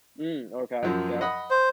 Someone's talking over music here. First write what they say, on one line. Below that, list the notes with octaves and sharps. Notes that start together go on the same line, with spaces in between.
Mm, okay. Yep.
F#2 F3 F#3
D#5 F#5 B5
C5